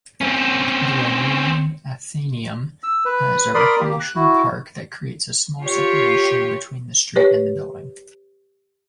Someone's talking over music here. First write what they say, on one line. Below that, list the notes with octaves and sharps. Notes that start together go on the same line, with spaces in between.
The Romanian Athenaeum has a recreational park that creates a small separation between the street and the building.
C4 C#4
E6
B4
A#4 D5 B5 C6 D#6
A#3 G4
F#6
E4 F#4
F4 G4 C#5
G4 B4 C#5